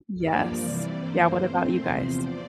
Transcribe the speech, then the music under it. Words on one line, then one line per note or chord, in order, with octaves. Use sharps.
Yes. Yeah. What about you guys?
G2 F3 A#3 D5
C3 E3 G3
G2 E3 A#3 C5
A#2 A3 C4
E2 C3 F3 C5
A#2 D5